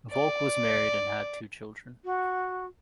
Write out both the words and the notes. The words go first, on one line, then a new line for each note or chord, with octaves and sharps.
Volk was married and had two children.
D5
F#4